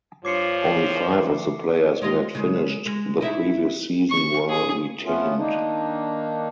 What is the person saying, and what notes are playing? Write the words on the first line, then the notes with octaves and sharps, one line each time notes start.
Only five of the players who had finished the previous season were retained.
G2 F3 F4 C#5 D6 C7 C#7
E3
G#3 F4 D#5
C#3 G#3
G#3
D#4 E4 E5
C#6
G#4
A3 B3 C#4 F4
D#3 A#3 D4 D#4